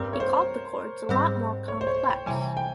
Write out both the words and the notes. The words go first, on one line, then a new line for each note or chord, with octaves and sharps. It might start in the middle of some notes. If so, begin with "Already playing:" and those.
He called the chords a lot more complex.
Already playing: G2 G3 C4 A#4
C#5
C5
G#2 G3 C4
C#5
C5
C#5
G5
C3 E3 G3 G#5
G5